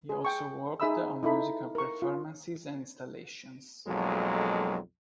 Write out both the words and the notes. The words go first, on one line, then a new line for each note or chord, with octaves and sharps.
He also worked on musical performances and installations.
G#4
G5 C#6
D#4 G#4 E5 B5 D#6 E6
D#4 E4 A4 B5
A#4 C#6
F4
B1 F2 F#3 G#3 A#3 A4